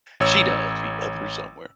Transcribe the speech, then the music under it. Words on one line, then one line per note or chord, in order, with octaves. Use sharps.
She does see out there somewhere.
A1 C#5 E6